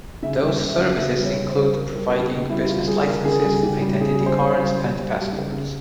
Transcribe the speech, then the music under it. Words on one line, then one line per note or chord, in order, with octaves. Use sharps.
Those services include providing business licenses, identity cards and passports.
C#3 E5
G3
E5
C#3
E5
C#3
C#3 E5
G3
C#5
C#3
C5
G3
G3 A#4
G3
C#3 G4
C#3
G3 E4
G3 F4
G3 G#4
C#3 A#4
C#3 G#4
G3
C#3 G4
G3
C#3 G#4
G3
C5
C#3
C5
G3
G3
G3
G3
C#3
C#3